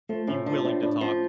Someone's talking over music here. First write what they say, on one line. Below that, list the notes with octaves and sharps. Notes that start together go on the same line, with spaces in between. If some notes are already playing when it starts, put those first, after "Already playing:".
be willing to talk.
F3 A3
A2 C#4
F3 D4
A2 D4
A2 D4
F3 C#4